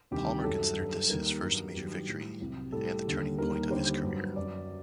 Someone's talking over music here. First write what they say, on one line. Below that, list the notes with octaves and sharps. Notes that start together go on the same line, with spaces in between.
Palmer considered this his first major victory and the "turning point" of his career.
D2 C3 D#3 G3 G4
F#2 F#3 A4
G2 F#3
D#2 D#3 G3 A#4
G2 F#3
G2 D#3 F#3 G4
A2 G3
C2 C3 F#3
A2 G3 A4
D#2 D3 G3
D#2 D#3 G3 A#4
D#2 D3 G3 C5
G2 F#3
F#2 F#3 D5